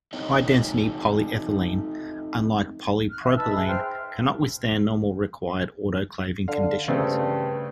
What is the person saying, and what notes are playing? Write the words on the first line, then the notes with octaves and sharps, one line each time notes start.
High-density polyethylene, unlike polypropylene, cannot withstand normally required autoclaving conditions.
A3 C4 D#4 C#5 D#5
F6 F#6
E5
D#4 B4 A5 E6
G#4 E5 F#6
C5 G5 F6
D3 F5
G2 C#3 A3 C4